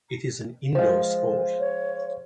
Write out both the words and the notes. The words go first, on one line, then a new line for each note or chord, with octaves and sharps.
It is an indoor sport.
F3 G#3 C5 F5
C#5